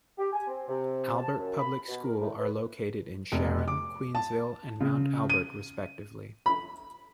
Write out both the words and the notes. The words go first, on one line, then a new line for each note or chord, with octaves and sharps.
Albert Public School are located in Sharon, Queensville and Mount Albert respectively.
G4
G#5
C4
C3
A5
F#2
B5
B2
A#4
A2
B4
F1
D6
A5
C#3
D#7
B5